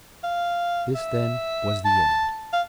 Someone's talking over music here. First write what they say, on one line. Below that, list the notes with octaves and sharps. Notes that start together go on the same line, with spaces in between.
This, then, was the end.
F5
E5
A5
F5